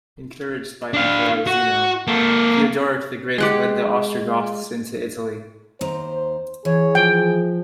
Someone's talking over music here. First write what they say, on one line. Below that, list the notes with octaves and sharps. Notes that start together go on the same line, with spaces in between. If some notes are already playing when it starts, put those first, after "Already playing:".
Encouraged by Emperor Zeno, Theodoric the Great led the Ostrogoths into Italy.
D4 F5
F#4
A#3 A4
G#3 G4 F#5 C6
D#2 C5 A#5
E3 G#4 C#5
F3 G5